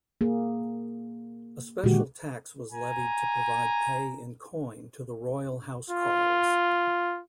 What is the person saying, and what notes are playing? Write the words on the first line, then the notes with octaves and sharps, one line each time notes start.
A special tax was levied to provide pay in coin to the royal housecarls.
A#3 G#4
A#2 D3 D#3 G#3 F#4 G4
G#5 A#5
F4